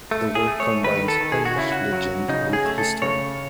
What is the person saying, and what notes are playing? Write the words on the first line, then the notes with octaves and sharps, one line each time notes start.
The work combines Hunnish legend with history.
A3
G#4
A3
C#5
D#3 B4
A4
D#3
G#4
F#4
C#3 E4
F#4
F#3
C#3 D#4
G#4
A3
A4
C#3 C#5